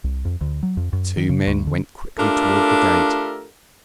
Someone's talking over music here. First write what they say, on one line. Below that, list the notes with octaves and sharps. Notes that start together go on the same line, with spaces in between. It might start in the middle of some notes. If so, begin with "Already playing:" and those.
The two men went quickly towards the gate.
C2
F2
D2
F#3
F2
F#2
D#3
C#3
D2
D3
A3 D4 F4 G4 A4 A#4